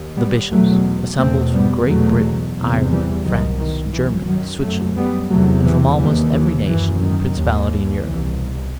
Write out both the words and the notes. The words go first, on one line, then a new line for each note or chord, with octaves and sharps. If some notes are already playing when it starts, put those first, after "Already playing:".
The Bishops assembled from Great Britain, Ireland, France, Germany, Switzerland and from almost every nation and principality in Europe.
Already playing: D#2
G3 B3
E2 B2 F#3 A3
E2 B2 A3 C4
G3 B3
E2 B2 F#3 A3
E2 C3
E3 G3
C2 B2 D#3 F#3
D#3
F#2 E3
D#3 F#3
F#2 F#3 A3
G3 B3
E2 C3 F#3 A3
E3
D#2 E3 G3
E3
F#2 E3
D#3
D#2
C2 B2 E3